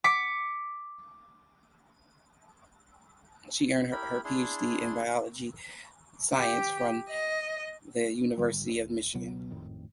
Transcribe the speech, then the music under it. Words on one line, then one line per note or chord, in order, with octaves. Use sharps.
She earned her PhD in Biological Sciences from the University of Michigan.
D6 B6 C#7
E4 G4 A#4 B5
D4 E4 G#4 C6
G4
D#5
G#1 G#2 D3 G3
D#1
C#2 B2 F#3 B3
G#1 F2 A2 D#3